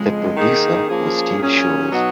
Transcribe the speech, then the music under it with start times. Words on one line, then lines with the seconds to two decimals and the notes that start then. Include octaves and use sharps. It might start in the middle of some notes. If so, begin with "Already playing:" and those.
The producer was Steve Sholes.
Already playing: F2 C#3 G#3
0.36 D#3 A#3 D#4 G#4
0.87 F3 A#3 C#4 G#4
1.38 A#2 F#3 C#4 G#4
1.89 B2 F#3 B3 D#4 F#4